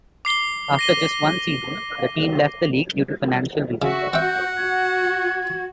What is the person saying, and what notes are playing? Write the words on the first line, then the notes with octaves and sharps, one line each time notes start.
After just one season, the team left the league due to financial reasons.
D6 C7 G7
A#6 D#7 G7
C#3 F#4 E5
C4 E5 F#5 G6
F#4 G#6